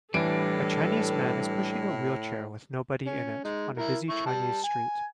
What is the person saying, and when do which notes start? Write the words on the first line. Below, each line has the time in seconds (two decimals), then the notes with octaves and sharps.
A Chinese man is pushing a wheelchair with nobody in it on a busy Chinese street.
0.14 A2 E3 G3 D4 A4 B4 D7
3.07 C#4
3.44 G#3 D#4
3.78 E4 A#4
4.09 E4 C#6
4.26 G3 A5
4.63 G#5